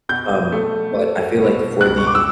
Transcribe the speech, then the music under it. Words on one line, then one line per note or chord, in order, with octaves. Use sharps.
Um, but I feel, like, for the
B2 G6
A3
A3
B2
C#2 F#6
C#6
D6
E6